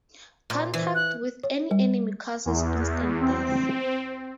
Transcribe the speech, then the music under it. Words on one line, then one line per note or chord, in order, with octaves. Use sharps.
Contact with any enemy causes instant death.
A#2
E3
F#6
C#5
G3
E2
C4